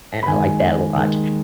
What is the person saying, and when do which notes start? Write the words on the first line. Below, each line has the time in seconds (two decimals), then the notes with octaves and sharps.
and I like that a lot.
0.23 B5
0.27 D#2 D#3 G#3 G#5
0.95 D#2 D#3 G#3